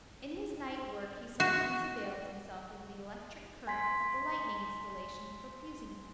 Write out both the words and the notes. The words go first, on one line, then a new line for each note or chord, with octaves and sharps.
In his night work he sometimes avails himself of the electric current of the lighting installation for fusing metals.
F#4
G#5 C6 B6